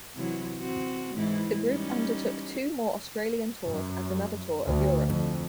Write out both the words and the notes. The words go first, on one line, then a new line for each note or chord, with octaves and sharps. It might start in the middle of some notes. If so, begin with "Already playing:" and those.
The group undertook two more Australian tours and another tour of Europe.
C3 E3 F#3
C4 F#4
G#2 E3 E4
G3 C#4 D#4
F#2
D2
F2